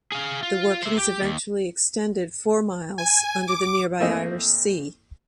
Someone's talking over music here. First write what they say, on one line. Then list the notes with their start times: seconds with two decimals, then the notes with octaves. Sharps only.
The workings eventually extended four miles under the nearby Irish Sea.
0.12 G#4 F5
0.43 F4
0.83 C5 E5
0.97 G4
1.22 D#2
2.98 G#5
3.48 D6
4.00 E3 A3 A#3 C4 E4 D#5